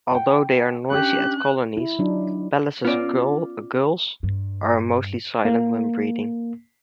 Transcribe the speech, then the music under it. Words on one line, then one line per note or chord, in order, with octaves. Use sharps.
Although they are noisy at colonies, Pallas's gulls are mostly silent when breeding.
F#5 G5
C#4 D4 G4 F#6
E4
F#3 D4 D#4
B3 C#4 F4 D5
G2
A#3